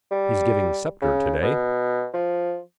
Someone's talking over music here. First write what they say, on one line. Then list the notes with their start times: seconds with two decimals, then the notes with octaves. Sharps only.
He's giving Sceptre today.
0.11 G3
1.02 C#3
1.42 B2
2.13 F3